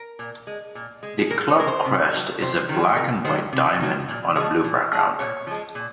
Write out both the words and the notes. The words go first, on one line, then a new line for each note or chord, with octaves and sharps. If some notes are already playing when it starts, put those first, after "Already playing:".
The club crest is a black and white diamond on a blue background.
Already playing: A#4
A#2
G#3
A#2
G#3
G#4
A#2 A#4
C#5
G#3 A#4
C5
C3
D#3 F#3
C3 C5
D#3 F#3
C3 A#4
D#3 F#3 C5
C3
D#3 F#3
A#2
F3 G#3
A#2
F3 G#3
A#2 C#5
F3 G#3
A#2